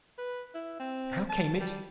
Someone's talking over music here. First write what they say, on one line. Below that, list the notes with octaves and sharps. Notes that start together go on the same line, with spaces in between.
How came it?
B4
E4
C4
A5
G3